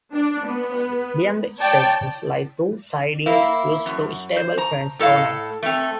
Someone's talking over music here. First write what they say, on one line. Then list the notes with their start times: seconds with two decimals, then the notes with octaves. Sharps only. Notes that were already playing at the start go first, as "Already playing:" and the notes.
Beyond the station lie two sidings used to stable trains overnight.
0.13 D4
0.45 B3
1.60 C#5 D5 G5 A5
3.26 A#3 E4
3.86 F#2
4.36 C5
4.58 A#5
4.99 A2 A4 D#5 F5
5.63 A3 C4